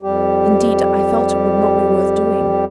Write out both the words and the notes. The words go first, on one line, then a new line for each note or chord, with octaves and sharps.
Indeed I felt it would not be worth doing.
F2 G3 G4